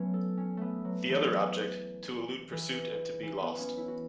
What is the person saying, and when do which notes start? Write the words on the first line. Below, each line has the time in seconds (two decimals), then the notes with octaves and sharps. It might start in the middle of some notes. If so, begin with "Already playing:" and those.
The other object, to elude pursuit and to be lost.
Already playing: F#3 A3 B3 C#4
0.14 A4
0.37 C#4
0.57 A3 B3
0.85 F#3
1.09 E3
2.52 E3
3.23 E3
3.41 B3
3.55 B3 C#4
3.77 E4
3.88 F#4